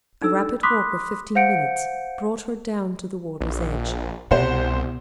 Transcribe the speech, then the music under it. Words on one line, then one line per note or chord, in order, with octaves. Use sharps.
A rapid walk of fifteen minutes brought her down to the water's edge.
D4 D#4 A4 E6
B5 C6 D6 D#6 F#6 B6
C5 F5 F#5 G6 C#7 D7
A#1
C2 B2 G4 C5 F#5